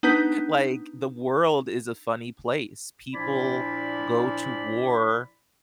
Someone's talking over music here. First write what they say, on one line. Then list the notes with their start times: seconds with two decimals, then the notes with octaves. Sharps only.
like, the world is a funny place. People go to war
0.03 B3 D4 D#4 B4 G6 B6
3.14 A#2 F3 D4 E4 D5 B5